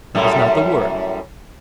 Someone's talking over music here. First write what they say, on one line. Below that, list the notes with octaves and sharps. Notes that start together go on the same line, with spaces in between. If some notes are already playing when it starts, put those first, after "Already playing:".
That is not the word.
F#2 A2 G3